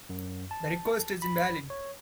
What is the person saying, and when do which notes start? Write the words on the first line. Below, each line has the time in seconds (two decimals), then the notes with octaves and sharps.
The request is invalid.
0.09 F#2
0.51 A5
1.22 B5
1.70 C#5